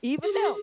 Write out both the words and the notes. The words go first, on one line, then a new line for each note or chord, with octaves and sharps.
even them.
G#4
G4
G#4